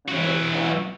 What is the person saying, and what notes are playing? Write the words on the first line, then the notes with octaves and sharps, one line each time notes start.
No, it's them.
E3 F#4